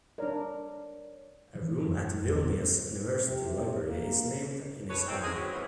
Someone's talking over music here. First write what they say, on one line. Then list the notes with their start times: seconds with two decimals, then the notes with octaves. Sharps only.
A room at Vilnius University library is named in his honor.
0.18 D4 A#4 C#5 D5
1.55 E3
1.87 F#2
2.25 G1 E2 E3 B3
3.27 C3
3.85 A#3
4.90 A4 B4 C#5
5.07 F#2 D#3 C4
5.22 G#3 D#4 G#4
5.34 E3 F#3 G#3 C4 C#4
5.53 E2